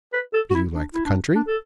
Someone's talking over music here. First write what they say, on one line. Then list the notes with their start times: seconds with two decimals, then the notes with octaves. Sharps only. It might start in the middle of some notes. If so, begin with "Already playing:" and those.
"Do you like the country?"
0.13 B4
0.34 A4
0.51 F#4
0.55 E4
0.75 D4
0.95 E4
1.05 D4
1.36 D4
1.48 A4